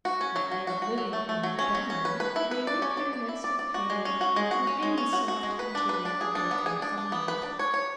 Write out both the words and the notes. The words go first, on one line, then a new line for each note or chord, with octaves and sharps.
If they are living in a barn, they make their nest of hay and any soft material they can find.
F#4
C#4
F#3
F#3
F#4
F#4
F#3
A3
A3
F#3
C#4
F#3
C#4
B4
B4
E4
B4
D5
C#4
D5
D5
E4
D5
D5
F#4
G#3
C#4
F#4
G#3
F#4
C#4
G#3
C#4
F#4
F#4
G#3
B4
D4
B4
D4
G#4
D4
B3
G#4
D4
D4
B3
B4
D4
C#5
C#5